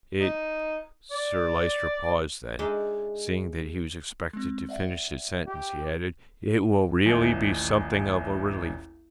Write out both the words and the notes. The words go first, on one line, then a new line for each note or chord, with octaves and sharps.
It----" Sir Lyster paused; then, seeing that he was expected to finish his sentence, he added, "It will really be something of a relief.
D#4
D5
G#3 D4 D#4 E5
G#3 C4
D5 E5 F#5
G4
D#1 A1